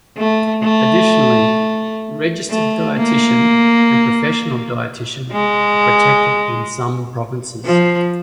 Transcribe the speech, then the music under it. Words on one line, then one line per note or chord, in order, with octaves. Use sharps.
Additionally, 'Registered Dietitian' and 'Professional Dietitian' are protected in some provinces.
A3
A3
A3
A#3
G#3
F3